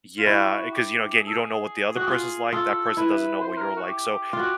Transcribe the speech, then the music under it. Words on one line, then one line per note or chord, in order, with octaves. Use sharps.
yeah, 'cause, you know, again, you don't know what the other person's like, that person doesn't know what you're like, so,
F4
E4 F#4
G4
G#4
A4
G#4
F#4
G4
F4 G#4
F4 A4
E4 B4
C5
A#4
F#4
G4
F4
F#4